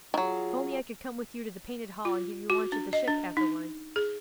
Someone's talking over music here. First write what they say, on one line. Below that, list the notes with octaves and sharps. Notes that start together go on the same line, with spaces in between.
If only I could come with you to the Painted Hall and give you lunch at the "Ship" afterwards!
D#3 F#3 F4 G#4
F4
F#4
D4
D#5
D4
D#4
G#4